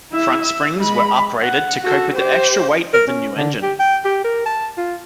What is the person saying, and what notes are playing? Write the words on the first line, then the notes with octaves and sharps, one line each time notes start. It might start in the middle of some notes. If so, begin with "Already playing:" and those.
Front springs were uprated to cope with the extra weight of the new engine.
E4 E5
E5
G#3 B5
F#5
F#4 A4
G4 C5
A#4
C#4
D3
G4
G5
G4
A#4
A5
F4